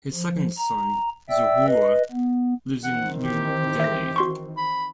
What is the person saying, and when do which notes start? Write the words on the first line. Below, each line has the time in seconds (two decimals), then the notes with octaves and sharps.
His second son, Zahoor, lives in New Delhi.
0.13 F3
0.58 A#5
1.29 D5 E5 G5 E6
1.67 B4 D#5
2.11 B3
2.84 D#3 E3 C4 F#5
3.24 G4
3.80 E5 A#6
4.16 F#4 C6 C#6
4.57 B5